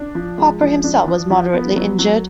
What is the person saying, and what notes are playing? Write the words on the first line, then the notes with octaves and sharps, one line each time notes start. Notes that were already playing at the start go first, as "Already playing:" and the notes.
Popper himself was moderately injured.
Already playing: D4
F3
G#3
F3
D4
F3
F3
B3
F#3
F#3